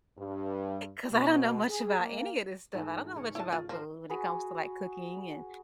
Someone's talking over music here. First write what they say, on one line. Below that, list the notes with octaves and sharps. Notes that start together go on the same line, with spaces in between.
'cause I don't know much about any of this stuff. I don't know much about food when it comes to, like, cooking and,
G2
B2
G#4
A#3
G#2 E3 A3
C#3 C#5
C#3 E4 A5
F4
F3 A#4 C5
F#4 G#4 B4